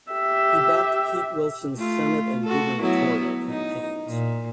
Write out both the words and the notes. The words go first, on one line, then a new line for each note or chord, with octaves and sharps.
He backed Pete Wilson's Senate and gubernatorial campaigns.
G4 E5
A3 F4
F#4 A4
F#3 B3 E4
D#4
A#2